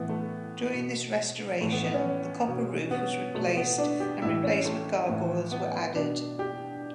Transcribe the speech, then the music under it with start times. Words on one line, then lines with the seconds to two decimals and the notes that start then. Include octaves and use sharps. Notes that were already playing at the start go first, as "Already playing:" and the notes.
During this restoration, the copper roof was replaced and replacement gargoyles were added.
Already playing: A2 E3 B3
0.09 A3
0.74 B2
1.61 A2 E3 A3
1.72 B3
1.83 B3
1.94 C#4
2.48 B2
2.91 B3
3.35 B2 A3
3.57 B3
3.78 D4
4.00 G4
4.22 A2 E3 E4
4.44 C#4
4.65 A3
5.09 A2 E3
5.52 B3
5.95 B2 D4
6.39 G4